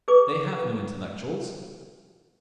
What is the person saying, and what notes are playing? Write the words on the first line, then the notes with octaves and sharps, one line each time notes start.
They have no intellectuals....
G#4 B4 D6